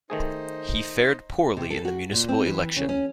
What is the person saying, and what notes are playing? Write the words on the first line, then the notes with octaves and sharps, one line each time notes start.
He fared poorly in the municipal election.
D#3 A3 D#4 G#4 C5
C3
A4
F#4
A#2
C4
E3
C#3
C#4